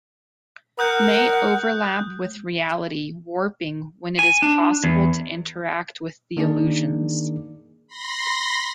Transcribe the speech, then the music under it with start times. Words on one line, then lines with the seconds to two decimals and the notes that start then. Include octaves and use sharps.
May overlap with reality warping when it is possible to interact with the illusions.
0.79 A#4 F#5 D#6 F#6 G6
4.19 G#5
4.42 D4
4.84 E2
6.37 D#3 A#3 D4 D#4 G#4 D5
7.88 B5 C6 A#6